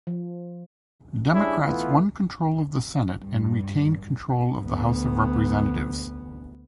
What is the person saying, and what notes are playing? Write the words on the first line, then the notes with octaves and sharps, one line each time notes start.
Democrats won control of the senate and retained control of the house of representatives.
F3
G3 C#4 D4 E4 G#4
E3 A3 B3 E4 F4
G2
D2 B3